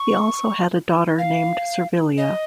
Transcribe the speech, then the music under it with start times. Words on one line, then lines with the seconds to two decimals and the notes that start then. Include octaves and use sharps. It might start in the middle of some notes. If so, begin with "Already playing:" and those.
He also had a daughter named Servilia.
Already playing: C#6
1.18 F5
2.18 D#5